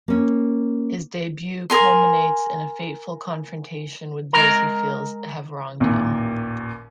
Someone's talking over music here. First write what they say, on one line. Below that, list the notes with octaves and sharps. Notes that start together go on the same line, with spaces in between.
His debut culminates in a fateful confrontation with those he feels have wronged him.
A#3 C#4
A#4 G#5 C6
G#3 A#4 A#5
A1 D#2 A#2